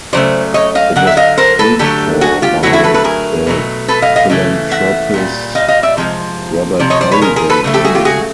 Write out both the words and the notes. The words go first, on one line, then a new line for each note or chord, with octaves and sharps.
It was paid for by the philanthropist Robert Halliday Gunning.
C#3 F#3 A3 C5 D5
C#5 D#5
D#5 F5
D3 F#3 F#5
E5
D#5 F5
A#4 C5
A4 B4
D3 F#3 A3 G4 A4
F#4 G#4
F4 G4
D3 F#3 A3 E4 F#4
E4 F#4
A4 B4
A4 B4
G#4 A#4
B2 F#3 A3
A4 B4
D#5 F5
D#5 F5
C#3 E3 A3
E5 F#5
A#2 G3
D#5 F5
D#5 F5
D5 E5
C3 F3 G#3
C3 F3 D5
C#5 D#5
C5 D5
B4 C#5
G#4 A#4
G#4 A#4
A4 B4
C#3 F#3 A3
G4 A4
F#4 G#4
F4 G4
F#4 G#4